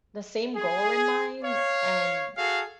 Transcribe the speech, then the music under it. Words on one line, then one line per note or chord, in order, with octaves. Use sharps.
the same goal in mind and
G#4
C#5 F5
F#4 G#4 A4 F5